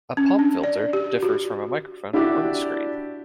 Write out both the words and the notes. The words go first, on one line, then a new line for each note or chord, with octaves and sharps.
A pop filter differs from a microphone windscreen.
C#4
D4
D5
G4
F#4
D4 E4 F#4 G4 D5